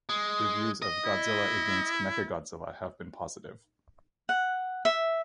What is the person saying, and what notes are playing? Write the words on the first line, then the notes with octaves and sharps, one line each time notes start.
Reviews of "Godzilla Against Mechagodzilla" have been positive.
G#3
D#5
E4
F#5
E5